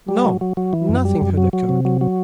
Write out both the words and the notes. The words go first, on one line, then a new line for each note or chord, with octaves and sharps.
No; nothing had occurred.
G3
F#3
F#3
F#3
E3
F#2
G3
F#2
F#3
F#3
C3
F#3
F#3